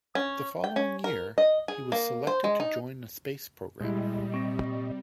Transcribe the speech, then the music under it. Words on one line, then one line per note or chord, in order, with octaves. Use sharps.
The following year, he was selected to join the space programme.
C#4
G5
C#4
A#4
D#5
G#4
A#3
C5
G#3
D#4
A#2 G3 G#3 E4 D#5
C3 C#6 A#6